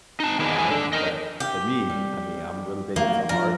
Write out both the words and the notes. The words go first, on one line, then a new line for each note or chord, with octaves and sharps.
Um, but, for me, I mean, I'm really big into art,
D#4 A5
D#3 B3 D4 D#4 G#4 B4
G#2 D3 F3 G#4 B4 G#5
D4 A4
A#4 D#5
G4
G3
F#3 A3 A#3 D#4
F3 D4 A#4 D5